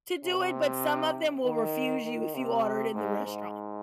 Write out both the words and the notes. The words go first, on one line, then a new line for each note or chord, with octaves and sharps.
to do it, but some of them will refuse you if you order it in the restaurant.
C3
D#3
D#3
C3
G#2
G#2